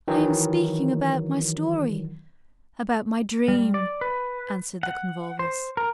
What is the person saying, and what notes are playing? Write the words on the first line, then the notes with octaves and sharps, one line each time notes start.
"I am speaking about my story--about my dream," answered the Convolvulus.
D#3 E3 F#3
G3
D5
B4
F#5
C5
A#4